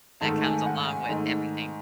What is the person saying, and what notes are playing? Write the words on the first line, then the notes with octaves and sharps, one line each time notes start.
that comes along with everything,
G#2 D#3 A3 A5
G#5
F#5
G#5
G#2 D#3 A3